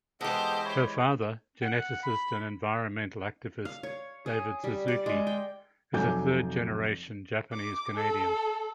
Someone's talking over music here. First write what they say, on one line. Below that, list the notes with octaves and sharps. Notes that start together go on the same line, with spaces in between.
Her father, geneticist and environmental activist David Suzuki, is a third-generation Japanese Canadian.
E3 G#3 B3 G4 A4 C5 D#5
E4 C#5
F#5
B5
F5
C#5
G#4
G3
D5
G#3
G5
F1 F#3 A4 G#5 D6 G6
D6
A4